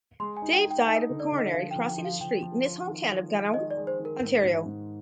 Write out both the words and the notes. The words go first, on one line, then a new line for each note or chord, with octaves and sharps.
Day died of a coronary crossing a street in his hometown of Gananoque, Ontario.
G#3 C6
G#5
D#4
G5
D#4
G5
D#4 G#5
D3
D5
D3
D#5
F3 F5
G5
F3
G5
F3
F5
F3 G5
F3
F4
D#3
F4
G#3
D#3 D#5
D5
G#3
C5
D#3
A#4
G#2
G#2
G#2